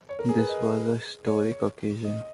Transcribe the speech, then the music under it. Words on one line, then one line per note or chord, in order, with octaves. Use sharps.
This was a historic occasion.
C#5
A#4
G#4
B4
D#5
C#5
D#5